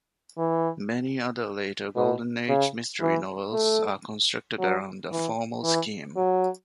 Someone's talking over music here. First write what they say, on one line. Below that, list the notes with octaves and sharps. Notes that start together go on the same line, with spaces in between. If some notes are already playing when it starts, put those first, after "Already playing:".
Many other later Golden Age mystery novels are constructed around a formal scheme.
E3
B2
C#3
E3
A3
F#3
E3
E3
F#3